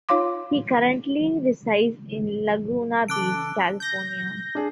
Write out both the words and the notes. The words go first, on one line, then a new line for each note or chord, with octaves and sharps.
He currently resides in Laguna Beach, California.
D#4 F4 C#5 F5 C6 D6
C#3 E3 C#4 A4 D6 F#6 D7
G6 A#6
D4 G#4